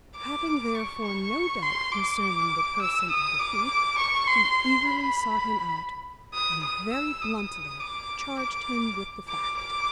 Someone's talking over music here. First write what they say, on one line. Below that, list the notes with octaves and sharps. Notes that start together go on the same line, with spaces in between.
Having, therefore, no doubt concerning the person of the thief, he eagerly sought him out, and very bluntly charged him with the fact.
D6
C#6
C#6
C6
D6
E6
D#6
D6
C#6
C6
B5
D#6
D#6
E6
D#6
D6
D6
D6
D6